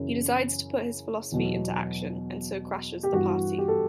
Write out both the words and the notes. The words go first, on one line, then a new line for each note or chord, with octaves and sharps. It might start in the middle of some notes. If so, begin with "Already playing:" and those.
He decides to put his philosophy into action, and so crashes the party.
Already playing: F#2 C#3 E3
E2 B2 F#3
G4
G2 E3 F#4
G4
A4